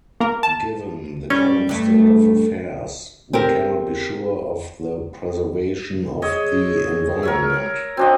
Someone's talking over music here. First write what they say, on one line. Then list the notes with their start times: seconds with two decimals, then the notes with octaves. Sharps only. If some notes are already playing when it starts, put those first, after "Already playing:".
Given the current state of affairs, we cannot be sure of the preservation of the environment.
0.20 A#3 A#4
0.43 A5
1.30 G3 C#4
1.69 G2 A3
3.33 C4 G4 A#4
6.22 G#4 C#5 D#5 E5
7.23 A#4 C#5 E5
7.97 C4 D4 F#4 D#5